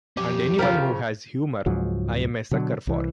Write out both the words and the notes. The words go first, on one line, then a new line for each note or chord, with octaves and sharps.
And anyone who has humor I'm a sucker for.
F2 C#4 G4
C#3 F3 F4 G4 A#4
C#2 G#2 F3 F#3
B2 D3 F#3
C2 E3